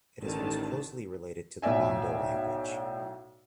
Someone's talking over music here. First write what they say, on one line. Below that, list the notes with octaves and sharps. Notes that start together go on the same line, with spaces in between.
It is most closely related to the Bondo language.
A1 D3 D#3 A5
B1 A2 D5 E5 G#5